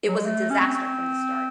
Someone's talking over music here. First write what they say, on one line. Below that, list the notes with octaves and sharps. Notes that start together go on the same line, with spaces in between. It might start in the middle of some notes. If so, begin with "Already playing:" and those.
It was a disaster from the start.
F#3
G#3
A3
C#4
C4